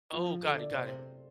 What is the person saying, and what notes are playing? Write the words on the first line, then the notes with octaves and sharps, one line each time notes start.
Oh, got it, got it.
F3 F4
D3 A4
D5
C3 C5
C5